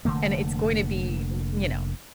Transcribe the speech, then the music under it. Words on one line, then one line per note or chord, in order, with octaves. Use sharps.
and it's going to be u you know,
F1 D3 A3 A#3